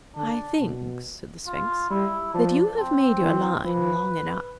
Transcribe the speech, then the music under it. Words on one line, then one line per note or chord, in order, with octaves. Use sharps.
"I think," said the Sphinx, "that you have made your line long enough."
D3 D4
B2
F4
G3 E4
F3 D4
C4
E3
F3 B4